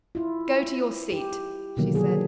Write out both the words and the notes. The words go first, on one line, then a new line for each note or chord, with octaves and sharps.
"Go to your seat," she said.
E4 F4
G4
B2 D3 D#3 F3 F#3 A#3
F#3 D4 G#4